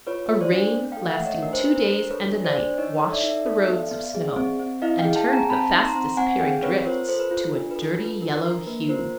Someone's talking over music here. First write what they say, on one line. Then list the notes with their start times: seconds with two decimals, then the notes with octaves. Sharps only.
A rain lasting two days and a night washed the roads of snow and turned the fast disappearing drifts to a dirty yellow hue.
0.07 F4 B4 C#5
0.30 F4
0.41 C5 D5
0.52 D4
0.74 A3
0.92 A4 F5 G5
1.09 E5 F#5
1.20 A3
1.25 C#5 D#5
1.42 D4 A#4
1.53 C5
1.60 D4 B4
1.76 A#4 C5
1.87 D4
2.10 A4 B4 C#5
2.32 D4
2.45 C5 D5
2.55 D4
2.78 D#4 C#5 D#5
3.01 A4
3.12 D5 E5
3.23 D#4
3.46 A4
3.68 B3
3.91 B3
4.15 G#4
4.36 C4
4.59 C4
4.82 E4 D#5 F5
4.98 F5 G5
5.04 G#4
5.16 G5 A5
5.27 C4
5.32 G#5 A#5
5.50 C4 A5 B5
5.72 D#4
5.84 A#5 C6
5.95 C4
6.17 C4 F#5 G#5
6.40 G#4 F5 G5
6.63 C4 B4 C#5
6.85 F4 A#4 C5
7.09 A4 C5
7.19 B4
7.31 F4
7.53 D4
7.71 A4 B4
7.99 F4
8.04 B4
8.22 D4 A#4
8.44 D4 A#4
8.67 A#3 B4
8.89 F4 A#4 C5